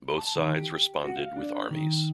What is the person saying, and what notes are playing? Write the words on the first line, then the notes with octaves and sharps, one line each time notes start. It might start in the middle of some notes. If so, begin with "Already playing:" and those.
Both sides responded with armies.
A5
D#3
G4
F#4
F5
D4
D#3